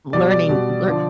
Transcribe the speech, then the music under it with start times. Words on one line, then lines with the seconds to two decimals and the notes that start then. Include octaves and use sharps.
learning lear
0.13 B2 G3 D5
0.31 D5
0.49 B2 G3
0.87 D3 F3